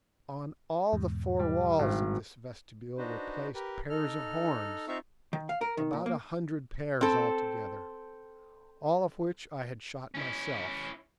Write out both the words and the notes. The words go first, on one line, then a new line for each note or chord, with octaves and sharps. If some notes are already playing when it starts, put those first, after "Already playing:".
On all the four walls of this vestibule were placed pairs of horns--about a hundred pairs altogether, all of which I had shot myself.
E2 G#2 B2
G3
G#1 F5
D4 D#4 F#4 B4 C5
G4 A#4 B4
D#4 A4 F6
C4 D#4 F4 E5 F5 C#6
D#3
F5
A#4
D#3
A#2
A#3
C4 A4
C#4 E4